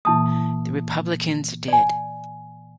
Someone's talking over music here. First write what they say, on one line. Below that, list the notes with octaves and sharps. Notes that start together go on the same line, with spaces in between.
The Republicans did.
A#2 E3 A#3 E4 A5 D#6
D5 G#5